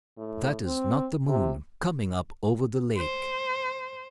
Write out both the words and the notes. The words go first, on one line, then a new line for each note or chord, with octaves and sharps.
That is not the moon coming up over the lake!
A2
C4
C3
C5